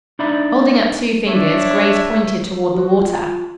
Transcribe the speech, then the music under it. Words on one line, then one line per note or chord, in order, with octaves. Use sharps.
Holding up two fingers, Grace pointed toward the water.
D4 D#4 D5 E5 B5
D4 C#5 E5
F#4
F4